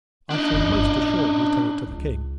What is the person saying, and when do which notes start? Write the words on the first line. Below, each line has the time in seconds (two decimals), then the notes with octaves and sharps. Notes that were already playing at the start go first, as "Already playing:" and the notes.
I shall, most assuredly, tell it to the King!
0.30 D4 D#4
0.52 G1 D2
0.79 A2
1.86 C#2